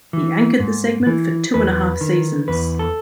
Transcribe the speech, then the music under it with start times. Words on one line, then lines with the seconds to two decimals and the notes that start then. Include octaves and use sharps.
He anchored the segment for two-and-a-half seasons.
0.13 E3
0.60 G#2
1.06 E3
1.54 E2 B4
2.01 D#3
2.48 E2 B4
2.79 A4